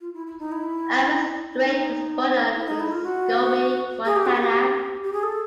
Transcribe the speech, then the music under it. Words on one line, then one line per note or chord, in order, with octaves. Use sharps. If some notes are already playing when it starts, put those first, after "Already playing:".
Alvin Straight was born in Scobey, Montana.
F4
E4
E4
D#4
E4
D#4
E4
D#4
E4
F4
F#4
G#4
G4
F#4
G4
G4
G#4
A4